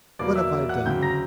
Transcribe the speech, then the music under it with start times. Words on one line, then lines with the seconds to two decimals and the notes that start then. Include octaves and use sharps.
What have I done?
0.19 E2 B2 F#3 A#3 D5 D6
0.36 E5 E6
0.69 F#5 F#6
0.86 D2 C#3 F#3 G5 G6
1.03 A#5 A#6